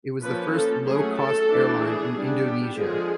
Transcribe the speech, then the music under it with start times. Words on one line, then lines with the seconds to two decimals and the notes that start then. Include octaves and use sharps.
It was the first low cost airline in Indonesia.
0.21 F3 A#3 C#4 B4
0.53 A4
0.85 F#3 A3 C#4 G#4
1.17 A4
1.48 E3 A3 D4
1.80 G#4
2.12 G3 B3 D4
2.44 G4
2.76 D3 F3 G#3 G#4